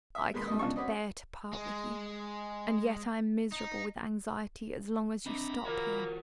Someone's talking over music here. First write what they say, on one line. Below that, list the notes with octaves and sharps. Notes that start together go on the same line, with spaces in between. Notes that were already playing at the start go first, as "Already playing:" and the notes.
'I can't bear to part with you, and yet I am miserable with anxiety as long as you stop here.'
E5
D#2 G#3 B4 C6
A2 G3 D#5
C#2 B2 D4 F4 A5 C#6
C4 C#4 F#4 B4 D5 D#5
G#3
D#4
C4 D4 D#5 A#5 B5
A#3 F4 F#4 A#4 C#5